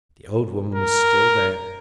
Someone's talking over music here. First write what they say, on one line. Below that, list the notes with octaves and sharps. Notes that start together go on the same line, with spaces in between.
The old woman was still there.
A#4